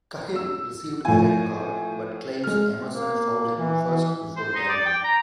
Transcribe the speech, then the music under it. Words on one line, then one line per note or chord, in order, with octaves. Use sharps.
Cahill received a red card, but claims Emerson fouled him first before diving.
E6
A2 F3 G#5
G#3 F6
A#3
E3
E3
C5
D#4
D5
G5
A#5